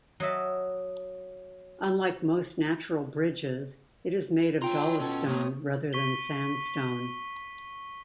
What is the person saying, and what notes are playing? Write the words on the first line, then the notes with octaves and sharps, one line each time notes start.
Unlike most natural bridges it is made of dolostone rather than sandstone.
F#3 D#5 E5 A5
F4 C#5 G5 A#5 C6
B2 C#4 A4
A2 A#3 C#5 D#6
C#6 B6 G7